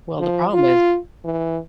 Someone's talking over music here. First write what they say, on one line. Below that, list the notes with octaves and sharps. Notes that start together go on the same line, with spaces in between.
Well, the problem is
F3
F4
E3